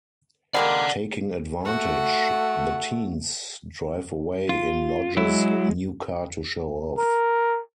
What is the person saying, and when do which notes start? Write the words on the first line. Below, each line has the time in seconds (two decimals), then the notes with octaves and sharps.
Taking advantage, the teens drive away in Lodge's new car to show off.
0.54 G3 G#3 A#3 D5 F#5
1.65 A3 F#4 F#5
4.49 F4
5.17 F#3 G#3 E4
6.97 A#4